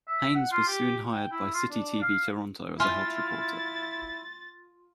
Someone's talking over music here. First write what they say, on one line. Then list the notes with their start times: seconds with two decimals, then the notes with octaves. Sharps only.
Haines was soon hired by Citytv Toronto as a health reporter.
0.07 E5
0.35 F#5
0.51 F4
0.67 G4
1.11 G5
1.31 E4
1.54 F4
1.70 D4
2.02 F5
2.80 E4 F4 E5 G#5 A6